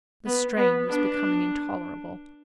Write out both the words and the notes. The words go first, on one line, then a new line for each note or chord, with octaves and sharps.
The strain was becoming intolerable.
B3
B3
D4